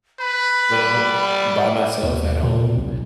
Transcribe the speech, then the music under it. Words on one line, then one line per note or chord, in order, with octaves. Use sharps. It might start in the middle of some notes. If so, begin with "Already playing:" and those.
you know, by myself at home,
B4 B5
G3
D#2
A#2
B1